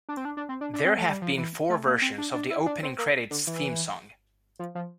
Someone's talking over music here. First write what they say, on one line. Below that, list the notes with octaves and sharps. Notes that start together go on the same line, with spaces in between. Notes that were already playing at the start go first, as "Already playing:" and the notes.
There have been four versions of the opening credits theme song.
D4
C4
D4
D4
C4
D4
D4
C4
A3
G3
F3
E3
A3
A#3
C4
D4
D4
E4
D4
C4
A#3
D3
E3
F3
F3